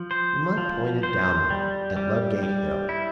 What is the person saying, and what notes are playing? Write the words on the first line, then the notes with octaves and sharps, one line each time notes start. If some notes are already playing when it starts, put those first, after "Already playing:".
The monk pointed downward at Ludgate Hill.
Already playing: F3
C5
F3
C5
G3
G3
G3
E4